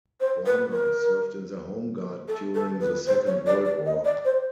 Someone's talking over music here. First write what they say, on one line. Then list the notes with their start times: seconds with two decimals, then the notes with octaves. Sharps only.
Warner served in the Home Guard during the Second World War.
0.20 C5
0.46 B4
0.72 A#4
2.28 A4
2.54 A4
2.81 B4
3.07 C5
3.26 C#5
3.46 D5
3.65 D5
3.86 D#5
4.05 D5
4.25 C5